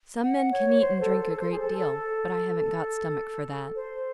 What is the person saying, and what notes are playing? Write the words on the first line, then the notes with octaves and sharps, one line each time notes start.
Some men can eat and drink a great deal, but I haven't got stomach for that.
F#5
C#5
C5
A4
A4
A4
C5
G#4
A4
A4
A4
C5